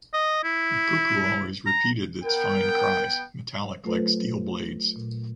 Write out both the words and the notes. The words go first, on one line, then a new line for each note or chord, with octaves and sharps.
The cuckoo always repeated its fine cries, metallic like steel blades.
D#5
E4
A#5
B3 A#4 G5
F#3 A3 F4 A4 B4 C5
A#2